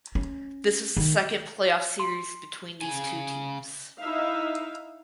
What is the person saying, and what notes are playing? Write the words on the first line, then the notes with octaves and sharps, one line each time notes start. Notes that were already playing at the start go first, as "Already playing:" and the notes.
This was the second playoff series between these two teams.
C#4
D#3
C6
C#3 G#5
D#4 E4 E5 F5